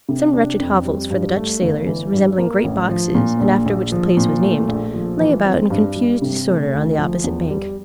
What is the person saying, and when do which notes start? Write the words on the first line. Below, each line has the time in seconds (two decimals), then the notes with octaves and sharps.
Some wretched hovels for the Dutch sailors, resembling great boxes, and after which the place was named, lay about in confused disorder on the opposite bank.
0.09 C3
0.33 D4
0.60 F2
0.85 G3
1.10 G2
1.36 A3
1.62 G1
1.87 E3
2.13 G2
2.38 A#3
2.64 A1
2.89 F3
3.15 A#2
3.41 A#1
3.66 A#1
3.92 F3
4.17 A#2
4.43 A3
4.68 A#1
4.94 F3
5.20 E3
5.45 C4
5.70 G2
5.96 G3
6.22 C3
6.47 A3
6.73 D2
6.98 F3
7.24 E2
7.50 G3